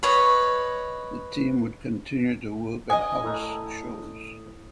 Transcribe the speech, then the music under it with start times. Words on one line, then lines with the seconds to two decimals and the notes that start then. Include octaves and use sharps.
The team would continue to work at house shows.
0.03 B4 C#5 D#5
2.90 D#5 G#5 D#6
3.24 A2 A4 A#5